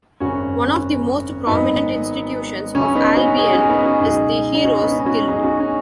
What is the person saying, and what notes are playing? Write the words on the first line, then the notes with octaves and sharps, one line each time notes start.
One of the most prominent institutions of Albion is the Heroes' Guild.
G#1 F#2 C#3 C#4 F#4
G#1 G#2 F#3 B3 D#4
C#2 C#3 F#3 C#4
B3 D#4
C#4 F#4
D#4 G#4
C#4 F#4
B3 D#4
C#4 F#4
C#2 B2 F#3 D#4 G#4
D#4
C#4 F#4
B3
C#4
D#4
C#4 F#4
B1 B2 F#3 D#4 G#4
C#4 F#4
C#4